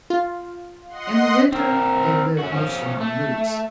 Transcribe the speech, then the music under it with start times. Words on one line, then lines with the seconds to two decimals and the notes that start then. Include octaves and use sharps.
In the winter they live mostly on roots.
0.10 F4
0.88 D#5 F#5 C6
1.52 C4 A#4
2.39 C#4 F#4
2.52 F3 C#4
3.00 A3